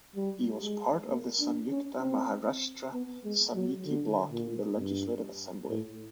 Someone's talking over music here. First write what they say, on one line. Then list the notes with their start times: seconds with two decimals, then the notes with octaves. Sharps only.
He was part of the Samyukta Maharashtra Samiti bloc in the Legislative Assembly.
0.16 G3
0.63 G#3
1.09 A#3
1.40 D4
1.70 C#4
2.01 C4
2.93 B3
3.24 G#3
3.55 F#3
3.86 D3
4.32 A#2
4.77 G2
5.70 A2